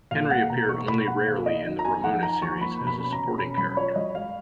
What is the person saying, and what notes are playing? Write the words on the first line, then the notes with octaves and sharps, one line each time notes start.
Henry appeared only rarely in the Ramona series, as a supporting character.
A#2 F5
A#3 F#5
B2 A#5
D#4 C#6
B2 B5
A#3 F#5
D#3 F5
D#4 D#5
D#3
A#5
B3 G#5
F3 F#5
D#4 A#5
F3 C#6
A#3 B5
B2
B5
C#4
A#5
B2
C#4 B5
F#3 B5
F4 C#5
F#3 D#5
G#3 F5